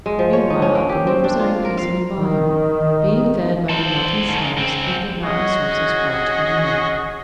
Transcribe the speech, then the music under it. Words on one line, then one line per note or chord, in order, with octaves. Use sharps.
Meanwhile the rivers are increasing in volume, being fed by the melting snows at their mountain sources far to the north.
G#3
F3
C#5
D#4
C#4
A#3
G4
C4
D4
F4
A#4
F5
D#3
A4 C5
G#2 D#3
G#2 C4
C#4 F#4 G#4 D#5